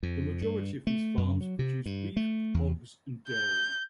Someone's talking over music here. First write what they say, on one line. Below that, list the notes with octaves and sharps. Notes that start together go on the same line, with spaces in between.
The majority of these farms produce beef, hogs, and dairy.
F2
G2
A3
F#2
F#3
C3
G2
A3
E2
G6